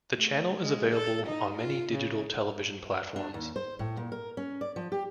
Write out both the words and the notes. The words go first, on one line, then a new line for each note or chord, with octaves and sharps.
The channel is available on many digital television platforms.
A3
G#3
A4
D#4
F4
C#3
D4
D#2
C5
A2
A#2
A#4
C#4
D5
F3
G4